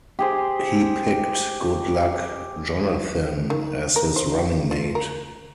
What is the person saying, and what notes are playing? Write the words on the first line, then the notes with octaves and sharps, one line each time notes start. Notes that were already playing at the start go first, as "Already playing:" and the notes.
He picked Goodluck Jonathan as his running mate.
G4 G#4 C5
D#3
A#4
C5
F4
A#4